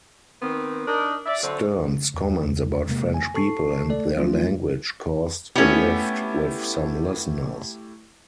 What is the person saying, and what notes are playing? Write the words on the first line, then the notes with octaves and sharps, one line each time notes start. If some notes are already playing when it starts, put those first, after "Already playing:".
Stern's comments about French people and their language caused a rift with some listeners.
D#3 B3 C4
D4 D#4 A#4
D5 E5
D3 F#3 C4
E2
C3 G#3 A#3
G#5
A4 A5 C#6 C7
A3 A4 D5
F3 F#3 A3 C4 C#4 F4
A3 B3 C#4 E4 G4